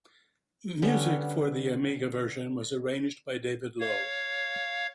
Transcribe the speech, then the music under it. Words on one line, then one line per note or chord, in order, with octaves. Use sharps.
Music for the Amiga version was arranged by Dave Lowe.
D3 G3 B3 C#4
C#5 F5